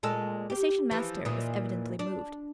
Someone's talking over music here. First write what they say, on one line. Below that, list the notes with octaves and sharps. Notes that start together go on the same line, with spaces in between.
The station-master was evidently moved.
A#2 G#3 A4
G4
E3 F3
A#2 E3 D#4
D4